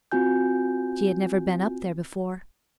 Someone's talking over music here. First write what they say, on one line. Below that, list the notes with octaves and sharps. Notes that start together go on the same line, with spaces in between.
She had never been up there before.
C4 F4 F#4 G#5 G6